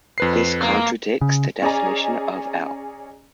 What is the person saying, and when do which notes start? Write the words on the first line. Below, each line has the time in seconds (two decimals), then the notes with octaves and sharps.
This contradicts the definition of "L".
0.18 F2 B4 C7
0.63 A#3
1.21 C#3
1.62 C#4 G#4 D5 D#5 G#5 A#5